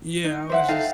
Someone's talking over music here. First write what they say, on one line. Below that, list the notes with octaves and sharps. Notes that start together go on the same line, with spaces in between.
Yeah, I was just
D#4
C5 E5 F#5
D#4 A4 F5 G5